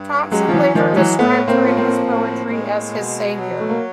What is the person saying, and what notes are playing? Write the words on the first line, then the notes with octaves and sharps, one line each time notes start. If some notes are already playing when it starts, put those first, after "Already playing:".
Thompson later described her in his poetry as his saviour.
Already playing: G2
F#3 G#3 C#4
F3
E3 F#3
D#3 F3 G#3
G3
E3 F#3
A2 A3 B3
A#3 C4
F3
A#3 C4
A2
G#3
B2
F#3
A3
A#3